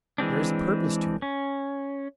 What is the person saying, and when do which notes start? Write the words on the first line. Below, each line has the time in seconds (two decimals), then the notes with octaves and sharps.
There is a purpose to it.
0.18 E3 G#3 C4 D4
1.22 C#4